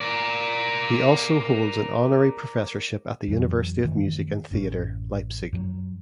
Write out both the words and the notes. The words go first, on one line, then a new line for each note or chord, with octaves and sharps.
He also holds an Honorary Professorship at the University of Music and Theatre Leipzig.
A#4 D5
F2 E3 F#3
F#2 D#3 E3 A3
A1 F#2 C#4
F#2 F3 F#3